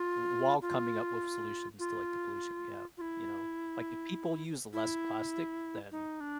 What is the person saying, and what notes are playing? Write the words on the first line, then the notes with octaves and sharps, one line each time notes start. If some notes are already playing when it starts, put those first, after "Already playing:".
W while coming up with solutions to, like, the pollution we have, you know? Like, if people use less plastic, then
Already playing: F4
F4
F4
F4
E4
E4
D#4
D4